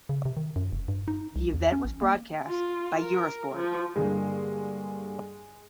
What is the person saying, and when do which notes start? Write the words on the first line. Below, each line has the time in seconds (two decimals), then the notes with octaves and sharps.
The event was broadcast by Eurosport.
0.09 C#3
0.25 C3
0.37 D#3
0.56 F#2
0.72 F1
0.88 G2
1.08 D#4
1.36 C2
1.54 E2
1.72 C#4
1.85 A1
2.02 A#3
2.48 F4
3.00 A#4
3.55 F3
3.96 G2 D3 G#3 A#3